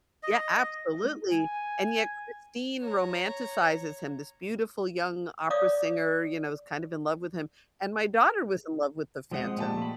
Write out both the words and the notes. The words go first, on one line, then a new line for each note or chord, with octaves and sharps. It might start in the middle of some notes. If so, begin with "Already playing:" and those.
Yeah, absolutely! And yet Christine romanticizes him, this beautiful young opera singer, you know, is kind of in love with him. And my daughter was in love with the Phantom,
D#5
G#5
C#5 A#5
C#5 D5 F5 D6 D#6
F3 G#3 C4 D#5 F#5
A#2 G4 A5
A3 B5